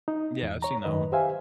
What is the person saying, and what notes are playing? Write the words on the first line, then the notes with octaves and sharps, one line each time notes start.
Yeah, I've seen that one.
D#4
E2
C#5 A#5
F#2 D#3 B4 D#5
G4 C5 E5 F5 G#5